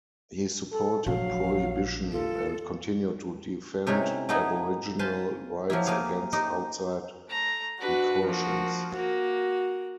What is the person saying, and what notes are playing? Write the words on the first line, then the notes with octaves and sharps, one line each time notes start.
He supported prohibition, and continued to defend aboriginal rights against outside incursions.
A4
A#1 F#3 F5
F4 A4
C3 A3 C#4 D#4 E4
A3 B3 D#4 E4 G#4 G#5
B4 C5 F5 G#5 A5
F3 F#3 A#3 E4
A3 A#3 G4 G#4 F5
D#4 G4 C5
A3 A#5
D4 F#4 B4
F3 A#3 F#4
A#3 F#4